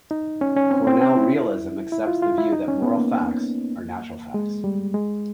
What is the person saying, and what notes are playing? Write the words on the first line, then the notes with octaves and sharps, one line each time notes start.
Cornell realism accepts the view that moral facts are natural facts.
D#4
C#4
C#4
C4
C4
C4
E4
E4
F4
F4
E4
D#4
C#4
B3
A#3
G#3
G3
G#3